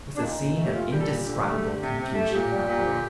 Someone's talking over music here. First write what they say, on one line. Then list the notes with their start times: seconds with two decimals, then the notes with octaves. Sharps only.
It was a scene of indescribable confusion and uproar.
0.16 D4
0.21 A#2 D#4
0.38 A#2
0.56 A3
0.65 G4
0.74 A#2 F4
0.91 G3 G4
1.01 A4
1.09 A#2 G4
1.27 D3
1.44 A3
1.62 D3
1.79 C3
1.97 C3
2.14 A3
2.32 A#2 G4
2.50 G3
2.68 A#2
2.84 D3